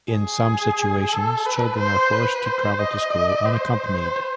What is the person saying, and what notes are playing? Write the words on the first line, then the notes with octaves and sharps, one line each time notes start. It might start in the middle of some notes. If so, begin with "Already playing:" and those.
In some situations, children are forced to travel to school unaccompanied.
G#4
A4
B4
C5
B4
C5
D#5
C5